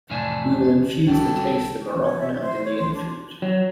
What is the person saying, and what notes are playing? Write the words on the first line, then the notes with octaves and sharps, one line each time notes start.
We will infuse the taste of Moroccan and Indian food.
F2 A2 C3 E3 D4 G#5
C2 G#2 C#3 F#3 A4 G5
C#5
E5
C5
C#5
C6
D4
F#3